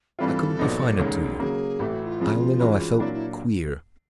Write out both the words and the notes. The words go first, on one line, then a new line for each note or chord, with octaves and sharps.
I couldn't define it to you, I only know I felt queer.
G2 E3 G3 C4 F4 A4
A#1 A#2 F#3 B3 D#4
E1 D#2 D#3 G#3 C#4
C#3 F#3 A#3 G#4
A1 A2 E3 A3 G4
F#4
F4
C#3 F3 G#3 C4
G2 E3 G#3 C#4 F#4
A#2 F#3 A#3 D4 E4
E4